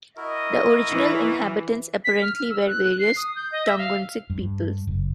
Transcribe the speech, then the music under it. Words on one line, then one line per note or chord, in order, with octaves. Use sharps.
The original inhabitants apparently were various Tungusic peoples.
E4 F#4 A#4 D#5
E3
B6
F6
F6
E6
F#6
F#6
C7
D#6
G6
D#5
E5
F5
G2
F#1